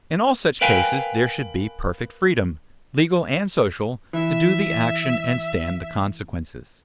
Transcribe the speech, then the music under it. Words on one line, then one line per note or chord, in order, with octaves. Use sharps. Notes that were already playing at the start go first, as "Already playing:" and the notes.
In all such cases there should be perfect freedom, legal and social, to do the action and stand the consequences.
A#4 B4 F5 G5 G#5
E3 E5